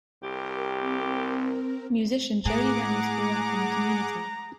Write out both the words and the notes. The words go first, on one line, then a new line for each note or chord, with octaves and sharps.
Musician Jody Reynolds grew up in the community.
C2 G4 A#4
C4 A#4
A2 G#4 F#5 A#5 D6